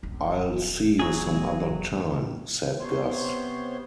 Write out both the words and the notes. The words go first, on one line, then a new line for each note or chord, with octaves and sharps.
"I'll see you some other time," said Gus.
D#1 A#1
F#3 G#4
C3 B3 C5 C#5 C6